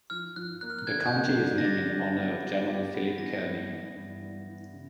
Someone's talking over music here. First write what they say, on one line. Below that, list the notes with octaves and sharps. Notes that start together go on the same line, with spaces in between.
The county is named in honor of General Philip Kearny.
F3 F6
F3 F#6
A#3 F#6
F6
F#6
D3 G#6
G6
A#3
G6
D3
A#6
G4 A6
F#3
B3
G4
G4
B3
E3 A#6
G2
E3
G2
G2
E3
C#3